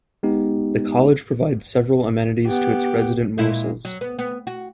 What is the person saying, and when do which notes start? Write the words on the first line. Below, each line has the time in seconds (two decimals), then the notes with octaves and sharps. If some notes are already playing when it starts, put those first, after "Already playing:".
The college provides several amenities to its resident Morsels.
0.23 G#3 B3 D#4 G4
2.47 B3 G4
3.38 A#2 G#3 E4
3.85 F#3
4.01 B3
4.19 B3
4.47 F#4